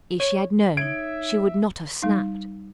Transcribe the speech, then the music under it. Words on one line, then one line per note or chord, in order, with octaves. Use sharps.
If she had known she would not have snapped.
C#5
D#4 C#5 E5 G#6 D7
G3 D#4